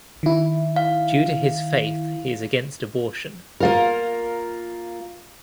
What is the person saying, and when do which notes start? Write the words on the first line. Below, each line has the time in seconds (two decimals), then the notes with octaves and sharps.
Due to his faith he is against abortion.
0.23 D#3 E4
0.76 F5
3.60 A#3 F4 A#4